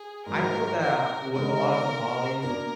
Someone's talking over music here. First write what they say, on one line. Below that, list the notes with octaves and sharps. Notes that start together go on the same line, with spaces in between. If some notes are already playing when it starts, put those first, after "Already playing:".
I feel that, with a lot of tamales,
Already playing: G#4
G#2 D#3 F#3 A#3 A#4
A#4
D3 G#3 B3 D#4 A#4
B2 A#3 D4 A#4